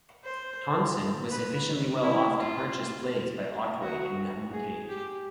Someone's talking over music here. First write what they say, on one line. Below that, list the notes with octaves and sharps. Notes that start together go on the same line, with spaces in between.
Tonson was sufficiently well off to purchase plays by Otway and Nahum Tate.
C5
B4
E4
F4
F#4
G#4
G4